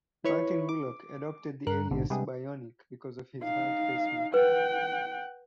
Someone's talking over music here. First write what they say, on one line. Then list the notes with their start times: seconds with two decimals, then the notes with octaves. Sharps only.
Martin Bulloch adopted the alias bionic because of his heart pacemaker.
0.24 E4 B4 C#5 B5 C#6
0.69 D6
1.67 G2 A#4 F#6
1.91 A1 G#2 B2 D3
2.10 C3 G3 G#3 B3 D4 G#4
3.42 D#4 F5
4.34 B4 F#5 G5